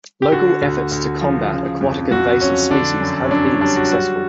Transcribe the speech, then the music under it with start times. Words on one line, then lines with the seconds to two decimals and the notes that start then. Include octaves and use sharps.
Local efforts to combat aquatic invasive species have been successful.
0.22 G4
0.32 D3 F#4
0.62 D2
0.92 D2
1.21 F3
1.51 C#3
1.81 F2
2.11 F2 F#4
2.41 F#3 C#4
2.71 D3 D4
3.01 F#2
3.24 C#4
3.31 F#2 D4
3.46 C#4
3.61 G3 D4
3.76 F#4
3.91 F#3 F#4